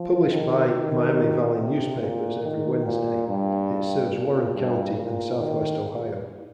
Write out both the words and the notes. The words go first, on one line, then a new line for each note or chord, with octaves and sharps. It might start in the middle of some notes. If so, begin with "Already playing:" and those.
Published by Miami Valley Newspapers every Wednesday, it serves Warren County and southwest Ohio.
Already playing: F3
D#3
D#3
C3
A#2
D#3
A#2
G2
A#2
G2
A#2
D#3